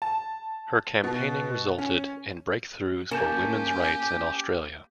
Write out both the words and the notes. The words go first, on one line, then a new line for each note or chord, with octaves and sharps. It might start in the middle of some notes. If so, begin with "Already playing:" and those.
Her campaigning resulted in breakthroughs for women's rights in Australia.
A5
B2
C#4
A#3 C#4 G4 G#5 A5 G6